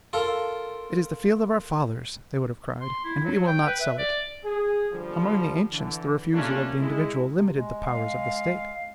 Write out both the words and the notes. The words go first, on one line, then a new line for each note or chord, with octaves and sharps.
"It is the field of our fathers," they would have cried, "and we will not sell it!" Among the ancients, the refusal of the individual limited the powers of the State.
F4 A4 A#4
C6
E4
F#3
G5
B4
E5
D5
G#4
D3 F3 G3
D3 E3
G3 A3 A#3 C#4 D4 F4
G#3 E4
C3
G#3
F5